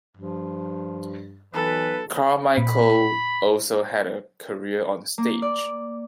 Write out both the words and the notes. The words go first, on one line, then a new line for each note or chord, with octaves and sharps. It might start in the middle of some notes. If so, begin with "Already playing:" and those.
Carmichael also had a career on stage.
G2 F3
B1 E3 A4 B4
A#2 B5
A#3
D5